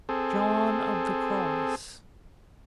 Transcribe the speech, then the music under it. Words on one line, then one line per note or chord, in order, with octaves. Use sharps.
John of the Cross.
C4 G#4 A4